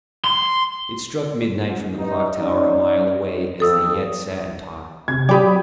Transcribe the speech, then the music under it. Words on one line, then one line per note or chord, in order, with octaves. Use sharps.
It struck midnight from the clock-tower a mile away as they yet sat and talked.
C6
G2 D#4
C#4 D#4 D5
F2 A4 D#6 E6
C3 G#6
F#3 G4 D5 G5 B5 D#6